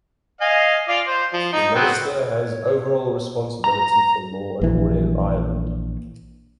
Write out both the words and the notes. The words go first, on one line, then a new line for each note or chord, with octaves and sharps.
The Minister has overall responsibility for law and order in Ireland.
D#5 F5 G#5
F4 D5 F5
C5
F3
D#4
F#3 B3 C4
C#5
A#5
A#1 E3